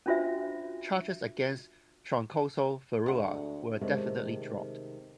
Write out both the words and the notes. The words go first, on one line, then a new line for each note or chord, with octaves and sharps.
Charges against Troncoso Ferrua were definitely dropped.
C#4 D4 F4 F#4 C5 E5
D2 G#3 C4 F#5
C3 D#3 G#3 A3 C#4